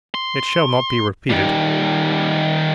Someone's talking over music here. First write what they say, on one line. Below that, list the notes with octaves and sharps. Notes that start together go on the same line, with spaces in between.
'It shall not be repeated.
C6
D#3 G3